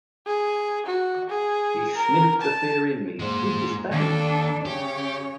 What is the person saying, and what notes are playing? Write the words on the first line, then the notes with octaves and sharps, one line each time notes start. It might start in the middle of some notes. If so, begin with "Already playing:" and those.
He sniffed the fear in me with disdain.
G#4
F#4
G#4
A#4
A5
G#3 A#3 C5
D#2 D4 A4
C#3 G4 C#5